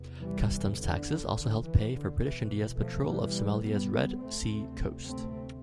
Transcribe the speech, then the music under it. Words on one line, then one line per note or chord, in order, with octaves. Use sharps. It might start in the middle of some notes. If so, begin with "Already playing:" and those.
Customs taxes also helped pay for British India's patrol of Somalia's Red Sea Coast.
Already playing: E2 C3
E3 G3
E3
D3
D3
E3
E2 B2 D3
E3
F3 A3
E3 G3
G3 B3
D2 C3 A3 C4
A3 C4